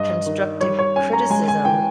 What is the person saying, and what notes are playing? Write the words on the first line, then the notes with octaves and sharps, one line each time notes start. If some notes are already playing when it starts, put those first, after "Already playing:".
constructive criticism
Already playing: G2 D#5
D#3
G3 C#5
C#5
C#4 G#5
A#5
G#3 G#5
G#5
E3 G5